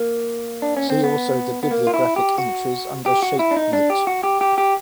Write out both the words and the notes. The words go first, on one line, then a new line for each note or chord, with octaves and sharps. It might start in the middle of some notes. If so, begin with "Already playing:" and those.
See also the bibliographic entries under Shape note.
Already playing: A#3
D4
C#4
C4
B3
B3
A#3
F4
E4
G4
F#4
G4
F#4
E4
D4
D#4
D4
G4
F#4
G4
G4
G4